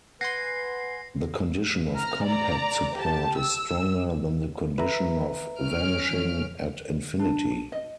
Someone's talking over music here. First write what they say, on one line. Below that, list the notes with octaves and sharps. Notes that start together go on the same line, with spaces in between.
The condition of compact support is stronger than the condition of vanishing at infinity.
B4 F#5 G#5 C6 A#6 C7
A#5 F6
D5 A#5
G4 A5
E6
B4 E5 A#5
C#4 F6 D7
E3
D4
D#5